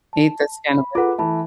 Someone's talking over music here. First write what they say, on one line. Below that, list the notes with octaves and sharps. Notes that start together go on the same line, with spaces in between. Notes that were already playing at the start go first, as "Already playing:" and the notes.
Eat the skin with
A5
B5
F4 G#4 A4 B4 F#5 D6
E3 A3 E5 A5 B5